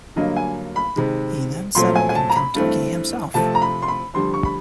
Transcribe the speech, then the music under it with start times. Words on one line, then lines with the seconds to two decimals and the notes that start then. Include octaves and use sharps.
He then settled in Kentucky himself.
0.16 G2 D3 F#3 A#3 D#5
0.36 G#5
0.76 B5
0.96 C3 D#3 G#3
1.75 A#2 F#3 A3 C4 C6
1.95 G#5
2.09 G#5
2.15 A5
2.30 A#5
2.36 B5
2.55 G2 E3 A3 C4
3.34 C3 F3 A3 C4 A5
3.55 A#5
3.62 B5
3.82 C6
3.88 B5
4.14 F2 D3 G3 C6
4.34 C#6
4.45 B5